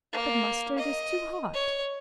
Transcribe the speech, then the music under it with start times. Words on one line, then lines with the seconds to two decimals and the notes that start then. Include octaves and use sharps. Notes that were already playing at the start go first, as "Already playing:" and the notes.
"But mustard is too hot."
0.13 A#3
0.79 D#5
1.54 C#5